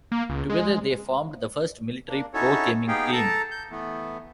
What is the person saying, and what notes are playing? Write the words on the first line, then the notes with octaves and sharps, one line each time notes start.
Together they formed the first military pro-gaming team.
A#3
C#2
G#3
A#3 D4
C#4 D#4 E4 F#4 A4 C#5
B3 D#4 G4 G#4 F5 G5
A4 A5 A#5
G6
E3 A3 B3